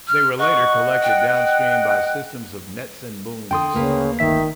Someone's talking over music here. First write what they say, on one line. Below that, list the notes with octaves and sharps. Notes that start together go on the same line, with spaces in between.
They were later collected downstream by systems of nets and booms.
F6
D#5 F#5 C#6
G5
G5
D3 A4 G5 C6 D#6
D2 C#3 A#3 B4
G1 D#3 E5 B6